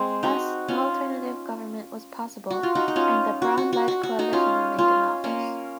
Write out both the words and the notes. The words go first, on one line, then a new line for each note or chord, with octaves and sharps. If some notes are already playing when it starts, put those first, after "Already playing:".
Thus, no alternative government was possible, and the Braun-led coalition remained in office.
Already playing: G#3 C4
D#4 F#4
C#4 F4
F#4
F4
D#4 F#4
D#4
C#4 F4
F#4
F#4
F#4
F#4
F#4
D#4 F#4
C#4 F4
C#4 F4
A#3 C#4